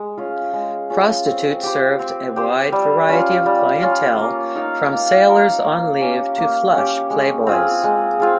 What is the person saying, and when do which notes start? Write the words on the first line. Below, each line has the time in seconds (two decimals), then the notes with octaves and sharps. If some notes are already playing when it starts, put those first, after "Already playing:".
Prostitutes served a wide variety of clientele, from sailors on leave to flush playboys.
Already playing: G#3
0.17 C#4 F4 G#4
0.53 G#3
0.90 C#4 F4 G#4
1.26 C4
1.63 G4 C5
1.99 C4
2.36 G4 C5
2.72 G3
3.09 C#4 F4
3.46 G3
3.82 C#4 F4
4.19 A#3
4.55 D#4 A#4 F5
4.92 A#3
5.28 D#4 A#4 F5
5.65 A#3
6.01 C#4 G4
6.38 A#3
6.75 C#4 G4
7.10 G#3
7.47 C4 F4 G#4
7.84 G#3
8.20 C4 F4 G#4